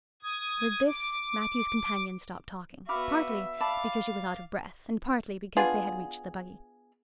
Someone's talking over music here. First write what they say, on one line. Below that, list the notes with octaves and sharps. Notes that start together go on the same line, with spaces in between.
With this Matthew's companion stopped talking, partly because she was out of breath and partly because they had reached the buggy.
D#6 G#6
D6
B3 F#4 E5 F5 B5 D6
D5 F5 A5 B5
B3 D4 F4 G#4